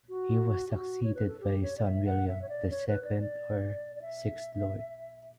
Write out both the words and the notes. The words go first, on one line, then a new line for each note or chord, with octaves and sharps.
He was succeeded by his son William, the second or sixth Lord.
F#4
G4
F#4
C#5
B4
A4
G4
C#5
D5
E5
F#5
E5
C#5
D5
C#5
B4
D5
D5
D5
E5